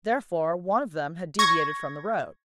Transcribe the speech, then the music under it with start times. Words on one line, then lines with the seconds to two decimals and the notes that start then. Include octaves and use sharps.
Therefore, one of them had deviated from the road.
1.39 C#6 G#6 A#6